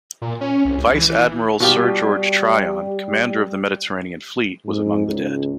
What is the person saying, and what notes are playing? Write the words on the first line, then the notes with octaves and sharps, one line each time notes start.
Vice-Admiral Sir George Tryon, commander of the Mediterranean Fleet, was among the dead.
A#2
C#4
C2
C#2
E3
E3
B2 G3 F4 G4
G#2
C#2